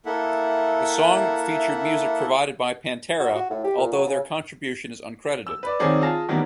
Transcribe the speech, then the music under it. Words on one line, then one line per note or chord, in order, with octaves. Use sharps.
The song featured music provided by Pantera, although their contribution is uncredited.
A#3 E4 A4 E5 F#5
F#4
F#4
A2
G4
A#2
F#3
C#3
E6
B4 D5
D#3 F#3 C4 G#4 C#5 D5
F4 G#4 A5 A#6
D#3 E3 F#3 G3 A#3 B3